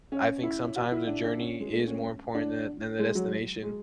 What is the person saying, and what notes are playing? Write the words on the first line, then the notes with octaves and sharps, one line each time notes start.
I think sometimes the journey is more important than than the destination,
C#4
E4
F#4
E4
D4
D4
C#4
G#3
A3
C#4
D4
G#3
F#3
G#3